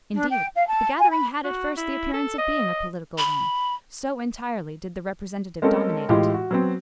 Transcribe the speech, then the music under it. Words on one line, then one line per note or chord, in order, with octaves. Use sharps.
Indeed, the gathering had at first the appearance of being a political one, so entirely did the Representative dominate it.
D4
G5
F5
A5
G#5
B5
F#4
E4
A4
D#5
B5
G#3 A#3 C4 C#4 A4
A2 E3 G#3 F4 G4
F#4
F#3 B3 C4